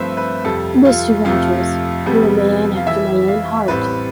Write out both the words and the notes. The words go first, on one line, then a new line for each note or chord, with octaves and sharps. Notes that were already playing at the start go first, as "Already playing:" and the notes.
Mr. Rogers, you're a man after my own heart.
Already playing: G2 F3 A3 C4 B4 C5 E5
B4
F2 C3 G3 A4
F4
F2 C3 F3 A3 F4
F2 C3 G3 B3
F5
F2 E3 G3 E5
F5
A1 A2 G3 C4 B4